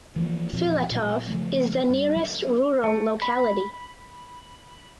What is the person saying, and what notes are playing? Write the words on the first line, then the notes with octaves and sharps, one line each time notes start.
Filatov is the nearest rural locality.
E3 F3 A3 A#3
E2 A#2 F3 C4
A#2 F#3
C#3 F3 F#3 A3
G2
F#3 D4
A3
B5